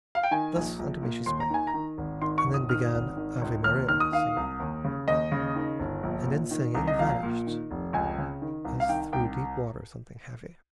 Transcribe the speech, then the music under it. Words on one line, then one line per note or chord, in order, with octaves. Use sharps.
Thus unto me she spake, and then began "Ave Maria" singing, and in singing Vanished, as through deep water something heavy.
F5
G5
D#3 G#5
A#1
A#1
A#2
D#2 C6
A#5
D#3 G#5
A#5
D#3
G#1
D#3 C6
C#6
G1
D#6
D#3 F6
G#1
D#3
C#2
D#2 F6
D#3 F6
D#6
D#3 F5
C2
D#2
C#3
D#2 D#5
C#3
D#3
G1
A#1
A#2
D#3
C2
D#5
A#1 F5
A#2
D#3
F1
C#2 G#5
C#3
D#3
C2
F5
D#3 G5
C2 G5